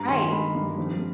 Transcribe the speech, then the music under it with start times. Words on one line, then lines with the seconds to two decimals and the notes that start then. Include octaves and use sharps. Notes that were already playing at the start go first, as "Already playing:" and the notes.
Right, mhm.
Already playing: G2 A#5
0.08 D#3 C6
0.22 C6
0.32 G#3 B5
0.54 G2
0.78 F2